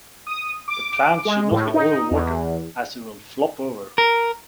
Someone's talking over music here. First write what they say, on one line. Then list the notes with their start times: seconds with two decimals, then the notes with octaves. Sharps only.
The plant should not be over watered as it will flop over.
0.27 D#6
0.68 D6
1.25 G#3
1.51 A2
1.74 D#4
2.11 E2
3.98 A#4